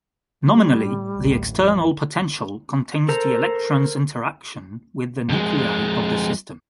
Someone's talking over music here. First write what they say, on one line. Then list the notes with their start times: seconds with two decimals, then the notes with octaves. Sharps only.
Nominally, the external potential contains the electrons' interaction with the nuclei of the system.
0.44 G3
0.73 A2
1.19 A1 D2
1.53 F2 E3
3.09 A4 A#4 C5 A#5
5.29 F2 G#3